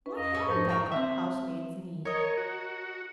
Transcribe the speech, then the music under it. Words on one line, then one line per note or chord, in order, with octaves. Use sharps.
Why hadn't I got housemaid's knee?
C#4 B4
F2 D#5 F5
G#2 A3 G#4 C#5
F3 D#4 C5
A#4 G5 A#5 C#6
C4 E5
A#4 C#5 D#5
F#4